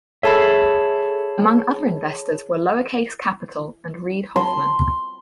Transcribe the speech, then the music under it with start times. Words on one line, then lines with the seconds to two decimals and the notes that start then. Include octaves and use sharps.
Among other investors were Lowercase Capital and Reid Hoffman.
0.23 G#4 A4 C#5 E5 A5 B5
4.36 C6